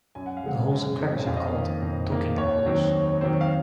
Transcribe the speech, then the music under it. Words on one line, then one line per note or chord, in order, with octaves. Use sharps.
The holes in crackers are called "docking" holes.
F#2 G#5
F#5
F5
C#3 G#3 C4 F#5
F#2
C#3 G#3 C4
F2 F5
D#5
F5
D#3 A#3
F2
D#3 A#3
D#2 C#5
D#3 F#3 C4
D#2
D#3 F#3 C4
F5